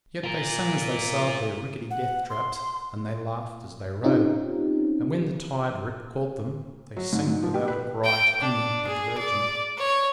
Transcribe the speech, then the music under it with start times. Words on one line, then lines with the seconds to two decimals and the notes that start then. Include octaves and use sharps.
Yet they sang as they sailed their rickety death-traps, and they laughed as they rowed; and when the tide-rip caught them, they sank without a cry to any but the Virgin.
0.24 F4 A#4
1.91 F#5
2.30 C6
4.04 C4 C#4 D#4 F4 G4
6.97 F#3
7.13 G#2
7.27 G#2
7.42 F3
7.54 G4
7.68 B4
8.04 G5
8.41 D4
8.87 G#4
9.18 D5
9.78 C#5